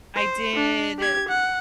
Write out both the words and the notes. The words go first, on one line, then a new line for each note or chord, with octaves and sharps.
I did,
C5
D4
G4 G#6
F#5